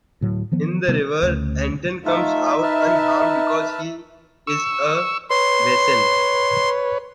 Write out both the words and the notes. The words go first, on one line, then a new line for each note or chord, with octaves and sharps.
In the river, Anton comes out unharmed because he is a Wesen.
D2 A2 F#3
D#3 F3 B3
C3 G3 B3
D2 C#3
A3 D#4 F4 A4 E5
B4 A5 F6
C#6 E6
B4 C#5 C6